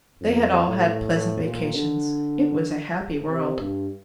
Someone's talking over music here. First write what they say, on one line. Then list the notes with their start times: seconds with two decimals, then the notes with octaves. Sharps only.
They had all had pleasant vacations: it was a happy world.
0.21 F2
0.67 A2
1.13 A2
1.45 A#2
1.75 D3
3.28 C3
3.60 G2